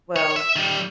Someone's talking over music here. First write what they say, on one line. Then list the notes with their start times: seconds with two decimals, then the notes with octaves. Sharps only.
Well, y
0.16 C#5
0.36 E5
0.56 D#3 G3